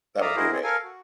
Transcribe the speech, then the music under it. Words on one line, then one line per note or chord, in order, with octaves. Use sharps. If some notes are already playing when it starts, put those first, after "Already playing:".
that would be amazing.
D5 E5 F5 A#5 D#6
E4 F#4 G#4 A#4 C5 D#5
C4 G#4
A4 A#4 F5 G#5
F#4